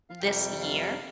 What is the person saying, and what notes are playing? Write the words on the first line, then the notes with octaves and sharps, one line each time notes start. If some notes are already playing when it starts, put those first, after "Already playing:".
this year,
F5
F2 C3 G3 G5
F5